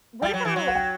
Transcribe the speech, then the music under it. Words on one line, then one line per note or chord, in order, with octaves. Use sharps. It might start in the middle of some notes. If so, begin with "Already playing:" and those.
what about
G3 G5
F#3
E3
F#3
F#5
G5